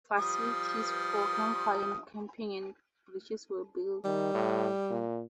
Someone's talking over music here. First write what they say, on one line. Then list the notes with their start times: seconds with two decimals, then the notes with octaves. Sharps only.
Facilities for campfire and camping, and bridges were built.
0.17 F3 G3 D#6
4.05 D#3 G3
4.34 A2
4.90 A#2